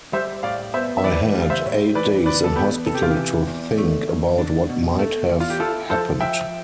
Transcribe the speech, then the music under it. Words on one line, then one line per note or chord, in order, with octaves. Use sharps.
I had eight days in hospital to think about what might have happened.
G3 C5 E5
A2 D5 F5
B3 C5 E5
E5
E3 B4 D5
G3
F5
C5 E5
A2
E3 B4 D5
E2 B4 D5
A4
B3 G4 B4
C3 A4
G4
F4
G4
E3
E2
A3
E2
D4
B2
A3
E2
F4
G4
E4 F4 A4
F3 A4 C5
F3 E5 G5